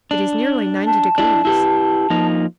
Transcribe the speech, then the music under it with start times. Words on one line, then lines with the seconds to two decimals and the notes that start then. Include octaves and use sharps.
It is nearly ninety degrees.
0.11 D4
0.87 A5
1.18 D4 E4
1.45 E4 G4 B4
2.10 F3 A#3 D#4